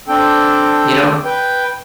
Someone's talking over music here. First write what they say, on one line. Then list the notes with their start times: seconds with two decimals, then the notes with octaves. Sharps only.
You know?
0.08 C4 D4 A4 G5
1.25 B4 G5